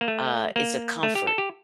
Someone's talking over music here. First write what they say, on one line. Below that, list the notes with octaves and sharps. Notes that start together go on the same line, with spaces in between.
uh, it's a comfort,
A#3
A3
A#3
A3
G4
A4
G4